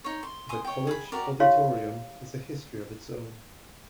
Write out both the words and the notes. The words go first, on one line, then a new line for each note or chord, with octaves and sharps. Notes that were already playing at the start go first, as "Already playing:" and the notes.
The college auditorium has a history of its own.
D#4 C#5
C6
G#5 C6 D#6
C#5 G5
G#4 B5
F#4 G4 A#4 D5
E4 G4 C#5 F5 C6